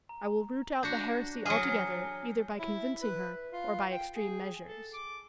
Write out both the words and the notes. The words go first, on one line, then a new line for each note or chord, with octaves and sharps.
"I will root out the heresy altogether, either by convincing her, or by extreme measures."
A#5
D4 F#4 G6 A#6 C#7
F#3 G#4 G#5 F6 G7
E4
B4
F4
G5
G#4
A4
D6